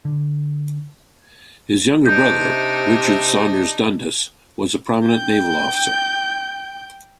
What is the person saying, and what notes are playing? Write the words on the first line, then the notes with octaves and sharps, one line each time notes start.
His younger brother, Richard Saunders Dundas, was a prominent naval officer.
D3
C3 D4 D#4 G6
G5 G6